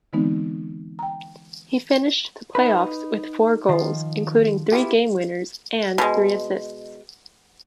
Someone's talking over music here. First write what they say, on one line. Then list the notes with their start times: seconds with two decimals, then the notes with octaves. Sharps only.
He finished the playoffs with four goals, including three game winners, and three assists.
0.13 D3 E3 G#3 B3 C4 D#4
0.99 G5 A#5
2.55 D#4 B4
3.69 D#3 F3
4.72 B3 E4 F4 G4 G#4
5.98 B2 G#3